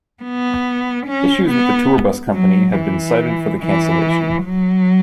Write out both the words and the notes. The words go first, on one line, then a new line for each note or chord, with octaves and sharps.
Issues with the tour bus company have been cited for the cancellation.
B3
C#4
B3
F#3
E3
E3
F#3